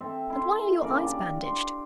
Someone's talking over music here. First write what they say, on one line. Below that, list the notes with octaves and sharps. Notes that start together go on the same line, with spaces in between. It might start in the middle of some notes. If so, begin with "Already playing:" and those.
'And why are your eyes bandaged?
C4 A4 E5
E4 B5 C6
C#3 A#3 D5 F5
D4 G4 A5
C6